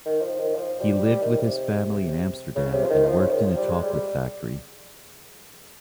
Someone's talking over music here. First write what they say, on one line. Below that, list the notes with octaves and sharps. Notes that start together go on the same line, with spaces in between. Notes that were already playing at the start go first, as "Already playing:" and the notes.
He lived with his family in Amsterdam and worked in a chocolate factory.
D#3
F3
D#3
F3
G3
G3
D#3
C3
C#3
C3
F3
D#3
F3
C#3
D#3
F3
G3
G#3
G3
G3